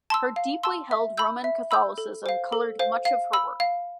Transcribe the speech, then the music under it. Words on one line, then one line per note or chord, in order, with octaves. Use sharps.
Her deeply held Roman Catholicism coloured much of her work.
A5 C6 E6
F5
A5 C6 E6
E5
B5 E6 G6
E5
B5 E6 G6
A4
C5 F5
A4
C5 F5
F5
B5 E6
F5